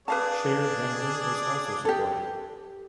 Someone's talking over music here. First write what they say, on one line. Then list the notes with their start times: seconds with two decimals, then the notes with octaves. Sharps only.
Shared memory is also supported.
0.08 D4 G#4 B4 D5 F5 A5
1.85 G4 A4